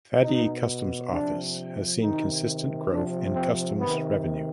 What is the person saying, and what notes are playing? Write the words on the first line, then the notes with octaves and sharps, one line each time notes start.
Thadi Customs Office has seen consistent growth in customs revenue.
B2 D#4
C3 F3 D4
C3 D#3 D#4
C3 F3 D4
C4
C3 D#3 B3